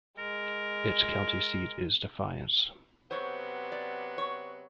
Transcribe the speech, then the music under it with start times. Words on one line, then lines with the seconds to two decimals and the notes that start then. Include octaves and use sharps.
Its county seat is Defiance.
0.18 G#3 A#4
3.11 C3 F#3 B3 C5 C#5
3.72 D5
4.18 C#5